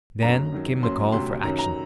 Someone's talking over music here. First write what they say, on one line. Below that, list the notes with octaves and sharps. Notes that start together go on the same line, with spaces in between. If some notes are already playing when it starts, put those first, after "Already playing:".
Then came the call for action.
F#1 F#2 D3 F#3 A#5
F#2 D#3 F#3
F#1 F#2 F#3 C6
D2 C3 F#3 C6
F#2 D#3 F#3 A#5
A#5